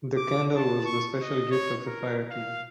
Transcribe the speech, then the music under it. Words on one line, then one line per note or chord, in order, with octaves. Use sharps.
The candle was the special gift of the Fire King.
D6
A5
C#6
D#5
C#5
A#4
F5